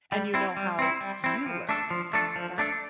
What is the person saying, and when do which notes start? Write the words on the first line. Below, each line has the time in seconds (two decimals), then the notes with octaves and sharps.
and you know how you learn, and that
0.12 G3
0.34 C4 E4
0.57 G3
0.79 C4 E4
1.01 G3
1.24 C4 E4
1.46 F3
1.69 A3 D4 A4
1.91 F3
2.13 A3 D4 A4
2.36 F3
2.58 A3 D4 A4